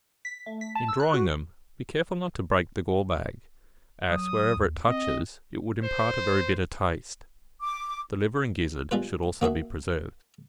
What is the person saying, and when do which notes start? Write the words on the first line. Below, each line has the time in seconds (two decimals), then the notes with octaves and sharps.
In drawing them, be careful not to break the gall-bag, as, wherever it touches, it would impart a very bitter taste; the liver and gizzard should also be preserved.
0.25 B6
0.46 A3
0.61 B6
0.75 A5
0.88 E6
1.00 F#6
1.14 F#4
4.11 F#3 D#6
4.57 D#2
4.89 C4 D#5
5.83 C5
7.64 D6
8.91 G3 G#3 F4 B4
9.41 A#3 F#4 G#4 E5